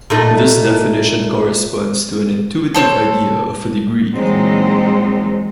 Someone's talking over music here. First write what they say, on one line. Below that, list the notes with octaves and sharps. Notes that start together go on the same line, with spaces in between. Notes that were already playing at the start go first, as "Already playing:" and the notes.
This definition corresponds to an intuitive idea of a degree.
A#2 A3 D#4
A4 C5 C#5
A#2 E3 F#3 G#3 C4 D#4